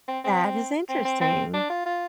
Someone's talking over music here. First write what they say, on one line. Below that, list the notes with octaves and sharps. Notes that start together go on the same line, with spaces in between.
That is interesting.
C4
C4
C4
C4
C4
D4
F4
F4